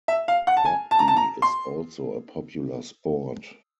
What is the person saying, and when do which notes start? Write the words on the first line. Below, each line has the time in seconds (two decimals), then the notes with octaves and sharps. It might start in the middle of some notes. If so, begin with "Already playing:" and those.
Rugby is also a popular sport.
0.08 E5
0.28 F5
0.47 F#5
0.57 A5
0.65 G#5
0.91 A5
0.99 A#5
1.08 A5
1.16 A#5
1.42 C6